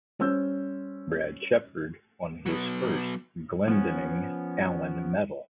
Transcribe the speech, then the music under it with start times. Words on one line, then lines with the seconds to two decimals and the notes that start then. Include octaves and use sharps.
Brad Sheppard won his first Glendinning–Allan Medal.
0.19 G3 C#4 C5 E6 G6
2.46 F#3 B3
3.68 F3 B3 C#4